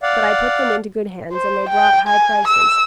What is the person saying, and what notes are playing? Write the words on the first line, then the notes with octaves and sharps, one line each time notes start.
But I put them into good hands, and they brought high prices.
D5 F5 F#5
C5
G5
G#5
E6